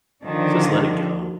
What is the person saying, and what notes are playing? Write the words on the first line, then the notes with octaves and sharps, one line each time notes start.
just let it go."
D3 D#3 F3 D4